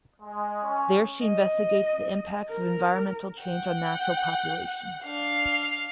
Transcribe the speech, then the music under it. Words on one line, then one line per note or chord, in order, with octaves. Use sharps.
There she investigates the impacts of environmental change on natural populations.
G#3
C#4
D#5
A#4
F#5 G5
D4 F5